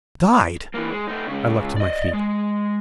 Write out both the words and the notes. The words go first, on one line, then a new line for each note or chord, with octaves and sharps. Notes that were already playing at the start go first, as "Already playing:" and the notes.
"Died!..." I leaped to my feet.
E3 A#3
G#3
A3 D#4
C#3 G#3
D5 D#5
G#3